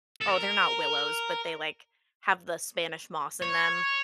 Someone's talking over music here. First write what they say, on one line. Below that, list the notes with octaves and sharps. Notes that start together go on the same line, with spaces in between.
oh, they're not willows, but they, like, have the Spanish moss in them.
A4
A#4
C#5